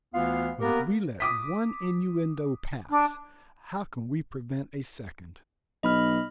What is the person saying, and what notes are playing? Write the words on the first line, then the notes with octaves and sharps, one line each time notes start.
But if we let one innuendo pass, how can we prevent a second?
D2 E3 B3 F4 F5
A#3 B3 G4 A#4
D6 D#6 B6
D4
B1 D#5 B5 F6